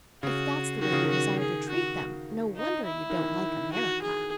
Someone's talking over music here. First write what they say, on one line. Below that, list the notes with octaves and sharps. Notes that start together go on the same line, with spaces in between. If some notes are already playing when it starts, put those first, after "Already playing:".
"If that's the way you desire to treat them, no wonder you don't like America."
C#3 F#4
D#3 F#4
C#3
D#3
F#4
G#4
F#4
D#4
E4
D#3
E3
F#4
G#4